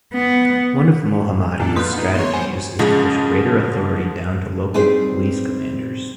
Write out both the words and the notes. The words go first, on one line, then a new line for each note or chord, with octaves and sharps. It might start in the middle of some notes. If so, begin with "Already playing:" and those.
One of Mohammadi's strategies is to push greater authority down to local police commanders.
B3
F#2 A#2 D4 A4
A#3 F4 B4
B3 D#4
C#5 C6
G3 B3 C5 G#5
G#2 C#3 F3 G#3
G3 C4 D#4 G#4 B4 C5